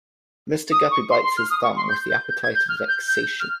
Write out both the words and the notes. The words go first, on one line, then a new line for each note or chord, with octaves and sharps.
Mr. Guppy bites his thumb with the appetite of vexation.
D#6
C#6
C6
C6
F6
D#6
C#6
C6
G6
G6
G6
G#6
G6
F6
G6
G6
F6